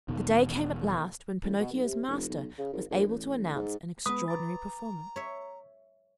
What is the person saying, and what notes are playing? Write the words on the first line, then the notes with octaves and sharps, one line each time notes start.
The day came at last when Pinocchio's master was able to announce an extraordinary performance.
E1 E2 B2 D#3
A1
B2
B1
C3
F1
B1
C#3
G#1
A#1
A1
G#2
G#3 B3 B4 D#6
A#5 D6 A6
C#5 E5